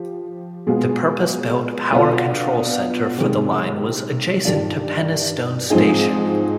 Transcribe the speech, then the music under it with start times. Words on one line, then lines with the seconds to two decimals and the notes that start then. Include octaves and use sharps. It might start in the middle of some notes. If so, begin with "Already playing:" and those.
The purpose-built power control centre for the line was adjacent to Penistone station.
Already playing: F3 G4
0.67 B2 G#3 B3 F4 G#4
1.92 B2 B3 D4 F4
3.18 C3 D#3 G#3
4.44 G2 D#3 G3 D4 F4
5.70 G#2 F3 C4 D#4 G#4